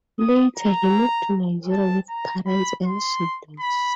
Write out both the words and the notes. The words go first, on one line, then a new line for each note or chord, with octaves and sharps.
Later he moved to Nigeria with parents and siblings.
D#6
A#5
A5
A#5
B5
C6
B5